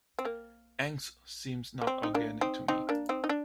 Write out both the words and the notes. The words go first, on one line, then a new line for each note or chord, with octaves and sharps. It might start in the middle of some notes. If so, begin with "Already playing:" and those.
"Angst" seems not organic to me.
C4
A#3
A#3
C4
D#4
A#3 D4
C4 D#4
C4 D#4
A#3 D4
C4 D#4
D#4
D4